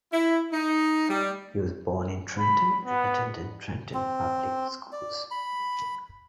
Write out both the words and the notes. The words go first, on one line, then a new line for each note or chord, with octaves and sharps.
He was born in Trenton and attended Trenton public schools.
E4
D#4
G3
B5
B3
C4
D5
B5